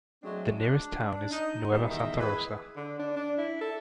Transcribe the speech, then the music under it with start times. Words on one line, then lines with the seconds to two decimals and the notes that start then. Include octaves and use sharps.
The nearest town is Nueva Santa Rosa.
0.22 F#3 G#3 A3 C4 D4
0.58 D4
1.31 D#4
1.69 D#3 G3 B3
1.88 E2 D#3 D#5 E5
2.17 E4 G#4 B4
2.76 D3
2.99 D4
3.16 D4
3.38 E4
3.61 A4